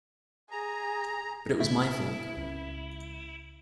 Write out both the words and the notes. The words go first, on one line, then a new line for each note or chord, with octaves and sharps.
But it was my fault.
G#4 A#5
D3 A3 E4
C#2